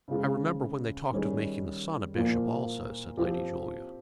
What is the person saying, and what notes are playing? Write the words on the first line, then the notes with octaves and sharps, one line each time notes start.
"I remember when they talked of making the son a bishop also," said Lady Julia.
C#3 G#3 C4 F4 G#4
D#3 G3 C#4 G#4
A#2 F3 A#3
F3 C4 G4